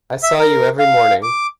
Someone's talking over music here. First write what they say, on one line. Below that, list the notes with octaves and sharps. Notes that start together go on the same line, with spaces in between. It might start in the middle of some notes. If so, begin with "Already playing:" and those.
I saw you every morning.
E5
A#4
F5
D6